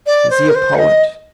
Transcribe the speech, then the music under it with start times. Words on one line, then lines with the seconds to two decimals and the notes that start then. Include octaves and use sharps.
Is he a poet?
0.06 D5
0.30 C5
0.48 A#4
0.55 C5
0.74 F#5
0.78 D#5